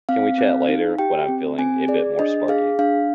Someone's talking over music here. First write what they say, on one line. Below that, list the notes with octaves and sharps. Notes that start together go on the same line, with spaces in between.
Can we chat later when I'm feeling a bit more sparky?
C4 F5
C4
D#4
G4 G5
C4
C4 G#5
G#4 D5
D4 D#5
G#4 F5
D4 F5